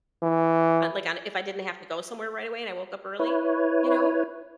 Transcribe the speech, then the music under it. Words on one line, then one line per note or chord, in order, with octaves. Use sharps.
uh, like, if I didn't have to go somewhere right away, and I woke up early, you know,
E3
E4 B4 C#5